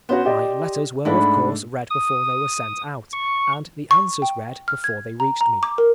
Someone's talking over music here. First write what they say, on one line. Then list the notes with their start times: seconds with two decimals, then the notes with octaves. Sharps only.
My letters were of course read before they were sent out, and the answers read before they reached me.
0.09 B3 C#4 D#4 F#4 C5
0.25 G4 D5 D#5
1.05 G#2 A3 D4 E4 F#4 B5
1.90 D#6
3.13 C#6
3.91 C#6
4.22 G5
4.68 F6
4.84 G#6
5.20 A#5
5.41 A#5
5.63 D6
5.78 A#4